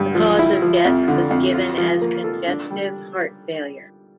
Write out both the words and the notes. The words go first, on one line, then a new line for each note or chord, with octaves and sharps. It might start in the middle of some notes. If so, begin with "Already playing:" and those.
The cause of death was given as congestive heart failure.
Already playing: G2
F3
E4
F3
F2
D3
F2
F4
F3
A#3
A4
D4
G3